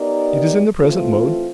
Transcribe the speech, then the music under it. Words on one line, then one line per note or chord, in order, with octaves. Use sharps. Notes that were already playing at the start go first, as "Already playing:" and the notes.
It is in the present mode.
Already playing: B3 D#4 G4 A#4 D5
E3 A3 C4 F4